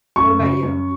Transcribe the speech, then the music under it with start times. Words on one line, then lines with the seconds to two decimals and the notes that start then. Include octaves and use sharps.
What about you?
0.16 F#2 C#6
0.39 C#3
0.63 F#2